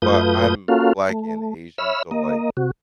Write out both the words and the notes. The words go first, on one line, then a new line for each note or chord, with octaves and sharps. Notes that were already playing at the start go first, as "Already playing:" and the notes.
But I'm Black and Asian, so, like,
F#2 A3 F4 B4 D#6 G6
A#3 C#4 F4 F#4 A4 F5
A3
C#5 E5 B5 E6 F6
A#3 D#5
C3 F#4